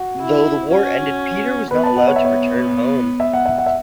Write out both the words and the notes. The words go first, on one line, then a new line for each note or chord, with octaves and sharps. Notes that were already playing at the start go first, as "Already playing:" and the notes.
Though the war ended, Peter was not allowed to return home.
Already playing: F#4
E4
C#4 F#4
B3 B4
A5
F#5
C#5
E5
B3 C#5
E5
F#5
E5
F#5
E5